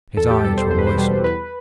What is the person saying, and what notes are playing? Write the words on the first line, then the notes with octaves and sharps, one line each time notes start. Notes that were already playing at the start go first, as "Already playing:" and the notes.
His eyes were moistened.
E2 A4
G4
B2 G3 A4
C5
E2 C5
B4
C5
B2 G3
E2 B4